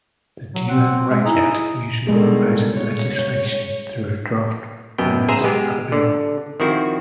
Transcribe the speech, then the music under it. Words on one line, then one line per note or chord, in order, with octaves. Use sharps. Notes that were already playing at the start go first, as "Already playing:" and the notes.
The "Dewan Rakyat" usually proposes legislation through a draft known as a 'bill'.
F#3
C4 F#5
G#3 E5
D#4 E4 G#4
B2 D3 D#3 G3 G#3 G#4
C#5
F#2 B2 B3 G5
G#4 B4 C5 E5 A#5
G#3 B3 G4
D3
D#3 F3 C4 E4 F#4